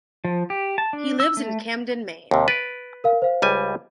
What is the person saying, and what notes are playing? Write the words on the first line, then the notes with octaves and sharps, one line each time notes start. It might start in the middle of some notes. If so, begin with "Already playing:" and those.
He lives in Camden, Maine.
F3
G4
A5
D4
E6
A3
D#2 C3
B4 A6 D7
A#4 F5
C5 F5
C#2 G3 G#5